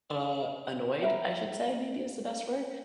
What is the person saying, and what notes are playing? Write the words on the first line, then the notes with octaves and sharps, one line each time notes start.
uh, annoyed, I should say maybe is the best word.
A#4 B4 E5 F#5